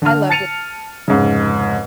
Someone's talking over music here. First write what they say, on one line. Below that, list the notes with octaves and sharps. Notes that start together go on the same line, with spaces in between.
I loved it
D3 F6
A5 A6 C#7 D#7 F7
F1 G#2 C#3